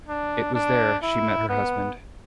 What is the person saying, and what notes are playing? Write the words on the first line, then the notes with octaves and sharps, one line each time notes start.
It was there she met her husband.
D4
D4
E4
B3